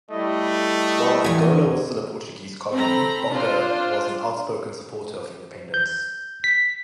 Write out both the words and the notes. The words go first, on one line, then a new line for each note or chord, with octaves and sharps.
While Angola was still a Portuguese colony, Bonga was an outspoken supporter of independence.
G3 A3 E4 D#5
E2 G#5
C4 A4 A#5 B5
D4 F4 C5
G6
B6